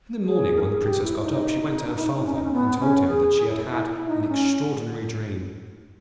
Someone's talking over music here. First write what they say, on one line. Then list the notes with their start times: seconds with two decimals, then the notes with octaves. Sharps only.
In the morning when the Princess got up, she went to her Father, and told him that she had had an extraordinary dream.
0.22 G#4
0.56 A#4
0.63 G#4
0.83 G4
1.03 E4
1.23 D#4
2.25 C#4
2.34 D#4
2.43 C#4
2.52 B3
2.79 C#4
3.06 G#4
3.47 E4
3.87 E4
4.08 D#4
4.22 D#4
4.28 C#4